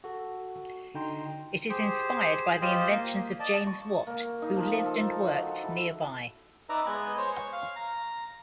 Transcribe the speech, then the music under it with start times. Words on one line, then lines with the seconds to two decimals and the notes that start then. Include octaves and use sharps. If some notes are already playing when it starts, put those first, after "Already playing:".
It is inspired by the inventions of James Watt, who lived and worked nearby.
0.04 F#4 A4
0.94 D3 D#4 G5 A#5 C6
1.70 G4 G#4 C5
2.61 F4 G4 C5 D#5
2.89 A#3
3.40 D5 D#5 A5
3.67 C#6
4.07 A#3
4.42 D#4
4.56 F3
4.73 A5
4.86 A4
5.25 F#4
5.46 A4
5.63 E4
6.69 D#4 B4 D5 E5 A#5
6.86 G#3 B3 D#5 G#5 F#6
7.17 C5 C#5
7.32 C#6
7.53 F5
7.76 A#5